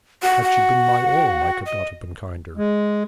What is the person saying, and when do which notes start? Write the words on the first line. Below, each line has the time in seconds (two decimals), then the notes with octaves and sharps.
Had she been my own, I could not have been kinder.
0.23 F#4 F#5
0.43 F#5
1.66 D#5
2.57 G#3